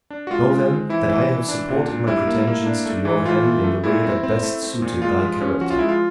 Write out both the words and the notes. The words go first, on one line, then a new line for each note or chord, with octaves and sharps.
Know then, that I have supported my pretensions to your hand in the way that best suited thy character.
D4
F#4
G#3 F4
G#3
C4
E3 E4
E3
E3
D4
A#2
D4
G3 E4
A#3
A#3
D4
A3
E3
E3 F4
A3
A3
A#2 E4
C4
C4
A3
C4
A#2
G#3 F4
F3
C#4
F3 F#4
F4
G#3 E4
F4